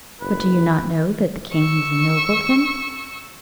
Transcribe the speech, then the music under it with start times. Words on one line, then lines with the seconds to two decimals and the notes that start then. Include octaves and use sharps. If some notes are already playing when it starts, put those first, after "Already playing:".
But do you not know that the king has ennobled him?
0.21 F#1 B4
1.53 C#6 E6